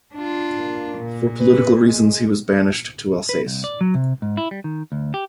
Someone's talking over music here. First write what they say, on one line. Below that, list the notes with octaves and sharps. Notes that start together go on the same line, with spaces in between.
For political reasons he was banished to Alsace.
D4 F4
A#3
A#2
B4
G#3
B4
C2
D5
F#3
C3
G#2
E4
G3
D#3
D2
G4